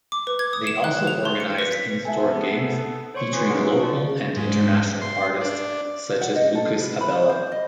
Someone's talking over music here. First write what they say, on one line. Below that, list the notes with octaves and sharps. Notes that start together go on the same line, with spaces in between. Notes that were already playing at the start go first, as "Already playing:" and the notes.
They also organised in-store gigs featuring local and international artists such as Lucas Abela.
D6
B4
G#6
D#6
E7
F#6
F7
C6
C#7
B4
B6
B3 A4 E5 G#5
C5 C#5 C6 C#6 C#7
C#4 F4 B4
A#3 D#4 G#4 F#5 D7
F4 D5 A5 C#6
G#2
C6
D4
F#5
D#5
A4
B4
B5
C5
D#5